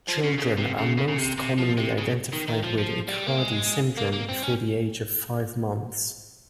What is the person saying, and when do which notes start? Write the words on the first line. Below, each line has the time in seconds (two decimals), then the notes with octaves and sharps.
Children are most commonly identified with Aicardi syndrome before the age of five months.
0.08 F3
0.23 C#3
0.38 C#3
0.57 C3
0.78 C#3
0.98 C#3
1.08 C#3
1.18 C3
1.38 C3
1.58 F3
1.78 C3
1.98 C#3
2.33 D#3
2.48 D#3
2.63 F3
2.78 F3
3.08 G3
3.27 A#3
3.37 G#3
3.97 A#3
4.12 A#3
4.29 C4
4.42 C#4